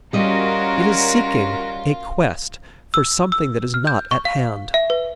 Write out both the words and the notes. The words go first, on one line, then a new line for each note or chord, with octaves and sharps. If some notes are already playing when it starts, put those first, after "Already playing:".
It is seeking, a quest, for something that is not at hand.
G3 C#4 F4 F#4 A#4 D#5
E6
E6
F6
G6
C#6
F5
E5
B4